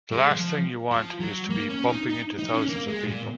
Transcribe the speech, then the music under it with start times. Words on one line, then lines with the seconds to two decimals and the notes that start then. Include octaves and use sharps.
The last thing you want is to be bumping into thousands of people.
0.12 G#3
0.32 F3
0.91 F3
1.20 F#3
1.50 A#3
1.69 C#4
1.89 D#4
2.09 D#4
2.39 D#4
2.53 C#4
2.68 A#3
2.88 G#3
3.08 A#2